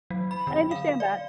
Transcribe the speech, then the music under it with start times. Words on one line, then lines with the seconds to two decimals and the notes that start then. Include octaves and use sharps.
I understand that.
0.11 F#3
0.31 B5
0.47 D3
0.71 F5
1.00 D5